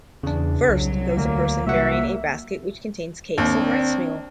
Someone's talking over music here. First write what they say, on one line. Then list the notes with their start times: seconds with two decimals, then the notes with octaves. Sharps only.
First goes a person bearing a basket which contains cakes of rice-meal.
0.23 E2 C#3 D4
0.68 C2 F#3
1.17 D2 A#3
1.66 C2 A#3 F#4 E5 F#5
3.38 D#2 C4 D4